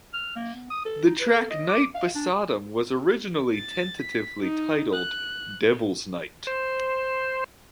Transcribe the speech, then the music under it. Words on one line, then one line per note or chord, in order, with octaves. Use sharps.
The track "Night, BeSodom" was originally tentatively titled "Devilsnight".
F6
A#3
B3
D#6
A4
D#4
B4
A4
D#5
D6
F5
D4
A6
B6
D#4
F#6
C5